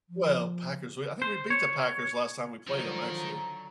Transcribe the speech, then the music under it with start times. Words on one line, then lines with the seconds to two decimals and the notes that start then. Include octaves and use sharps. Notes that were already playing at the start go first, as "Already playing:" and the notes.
Well, Packers, we I think we beat the Packers last time we played 'em, actually.
0.09 F3
1.22 C5
1.50 C#5
2.68 D3 D#3 F3 F#3 D#4 A#5